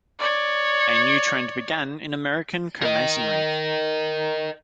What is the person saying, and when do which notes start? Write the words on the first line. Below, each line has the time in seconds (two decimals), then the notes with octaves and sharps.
A new trend began in American Co-masonry.
0.19 C#5 D5
2.83 A#4 D#5